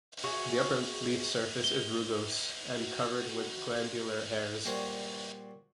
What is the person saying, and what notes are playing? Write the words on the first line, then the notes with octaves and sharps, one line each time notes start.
The upper leaf surface is rugose, and covered with glandular hairs.
F#4 G#4 C#5 E5
G7
F#4
A#2 G3 F#4 C5 C#5